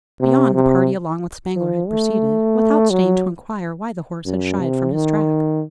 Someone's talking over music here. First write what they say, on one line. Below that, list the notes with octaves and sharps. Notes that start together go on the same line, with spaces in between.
Beyond the party along with Spangler had proceeded--without staying to inquire why the horse had shied from his track.
C3
C3
F3
A3
F#3
F#2
C3
D#3